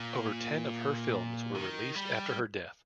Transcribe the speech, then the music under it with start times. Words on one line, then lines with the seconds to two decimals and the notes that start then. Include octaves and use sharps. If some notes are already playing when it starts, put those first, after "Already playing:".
Over ten of her films were released after her death.
Already playing: A#2
1.55 D#3
1.95 G3